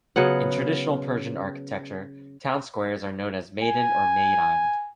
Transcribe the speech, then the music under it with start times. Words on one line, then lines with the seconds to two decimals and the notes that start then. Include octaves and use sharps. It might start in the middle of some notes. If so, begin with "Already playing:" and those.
In traditional Persian architecture, town squares are known as maydan or meydan.
0.16 C#3 F#3 B3 F#5
3.62 G#5